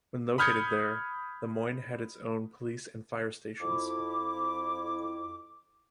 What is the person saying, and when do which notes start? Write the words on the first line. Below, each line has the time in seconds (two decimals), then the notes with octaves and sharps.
When located there, LeMoyne had its own police and fire stations.
0.38 B5 D#6 F6 G6 G#6 C#7
3.59 F2 E4 D6